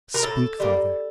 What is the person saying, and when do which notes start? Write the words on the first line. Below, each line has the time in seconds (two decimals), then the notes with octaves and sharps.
Speak, Father.
0.14 A#4
0.23 A2 A4
0.60 G3 A#3